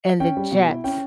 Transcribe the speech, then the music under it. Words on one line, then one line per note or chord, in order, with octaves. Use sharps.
and the jets,
C#4 G5
G3
B2
E4
C#4 G5